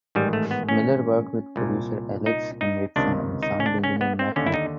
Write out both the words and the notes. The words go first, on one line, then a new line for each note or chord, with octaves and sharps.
Miller worked with producer Alex Henriksson and sound engineer Matt Neighbour.
A1 G#2 D#3 G3
A3
B3
C#4
C2 A#2
D#4
D#4
C#2 C3 D#3 D4
D#4
C#4
D4
C#4
B3
C4
D#2 D3 C#4
E4
D#4